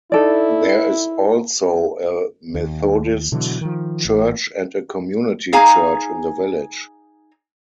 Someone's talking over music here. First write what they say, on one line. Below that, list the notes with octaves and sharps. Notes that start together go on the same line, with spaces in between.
There is also a Methodist church and a Community church in the village.
D#4 E4 A4 D5
D#2
B2 D3 E3 F#3
D#3 F3
A1
D#4 G#4 F5 G#5 A#5